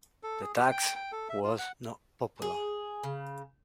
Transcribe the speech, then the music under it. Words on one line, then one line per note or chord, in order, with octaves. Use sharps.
The tax was not popular.
A4
G#4
G4
G5
G5
A4
E5
F4
F#5
G#4
C#3